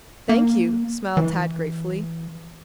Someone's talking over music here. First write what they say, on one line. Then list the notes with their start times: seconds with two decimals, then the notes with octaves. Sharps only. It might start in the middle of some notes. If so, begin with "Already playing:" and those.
"Thank you," smiled Tad gratefully.
0.29 A#3
1.17 E3